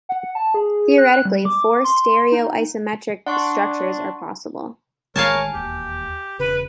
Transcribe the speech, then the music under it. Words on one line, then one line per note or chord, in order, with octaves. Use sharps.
Theoretically, four stereoisomeric structures are possible.
F#5
A5
G#4
F#6
G3
D6
C6
D#4
D4 F#5 C6 C#6
A1 D#3 G#3 A#4 C#5 F5 G#5 A5
E1 D#2 G4
E1 C#3 B4